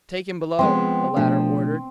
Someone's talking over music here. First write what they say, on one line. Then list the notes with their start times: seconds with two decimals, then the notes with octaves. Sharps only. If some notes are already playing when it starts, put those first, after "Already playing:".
"Take him below!" the latter ordered.
0.59 F3 G#3 B3 C4
1.16 B2 F3 A3 D4